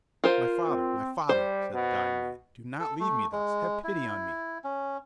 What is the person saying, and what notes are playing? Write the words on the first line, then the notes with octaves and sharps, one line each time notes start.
"My father, my father," said the dying man, "do not leave me thus: have pity on me!"
F4 A#4 C5
C4
G3 C5
B2
A4
A3
G#3
E4
C#4